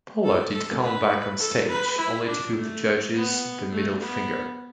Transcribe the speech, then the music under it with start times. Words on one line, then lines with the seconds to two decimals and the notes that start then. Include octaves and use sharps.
Paula did come back on stage only to give the judges the middle finger.
0.24 A4
0.53 A4
0.83 B4
1.41 A4
1.69 B4
1.98 E4
2.27 D4
2.56 A3
3.14 B3
3.72 A3
4.01 B3